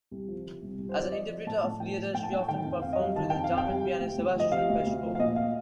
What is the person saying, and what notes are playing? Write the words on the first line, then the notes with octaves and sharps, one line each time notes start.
As an interpreter of Lieder, she often performed with the German pianist Sebastian Peschko.
C2
F3
C3
C2
C2
C5
F3 D5
F3 D#5
F3
A2 A5
A2
F3 G5
F3
A2 G5
A5
A2 G5
D#3 G5
F2
F2 F5
D#5
G3 F5
D#3 A5
F2 G5
F5
F2
G5
G3
C3
D2
D2
F3 D#5
C3 F5
D2
D2
F3
F5
A#2 D#5
F5